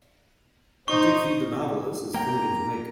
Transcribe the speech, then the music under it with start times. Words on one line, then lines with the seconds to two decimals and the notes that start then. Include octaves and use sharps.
Dick viewed the novel as his "Finnegans Wake".
0.88 D#4 C5 C#6
2.14 A#3 G5 A#5